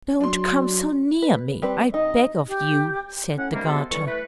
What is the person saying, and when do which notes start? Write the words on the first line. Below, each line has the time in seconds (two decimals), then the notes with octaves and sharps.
"Don't come so near me, I beg of you!" said the garter.
0.21 F#3 D4 C6
1.22 B4
1.62 G3 C4 B4
1.94 C3 D#4 D#5
2.49 G4
3.37 A2 C#4 F#5
3.52 C3 D#3 G3 G#3 A#3
3.66 C3 G#3 B3 F#4 A4 C6
3.91 D3 E3 F#3 G3 C#6
4.06 E3 A3 B4